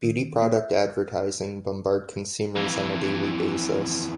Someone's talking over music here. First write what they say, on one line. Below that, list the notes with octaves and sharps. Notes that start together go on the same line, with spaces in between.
Beauty product advertising bombard consumers on a daily basis.
D#3
A#3
E5
F2 E3